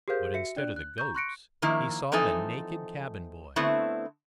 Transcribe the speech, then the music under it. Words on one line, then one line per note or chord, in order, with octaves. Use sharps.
But instead of the goats, he saw the naked cabin boy.
G4 G#4 A#4 C5 F5 G6
F#4 E5 C#7
D4 D5 F#6
F#6
A#5 C#6 G6
C6 C#6 F#6 A#6 C#7 D7
D#3 F3 A#3 E4
E3 F3 C4 D#4 A4 G#5
D3 A3 B3 C4 E4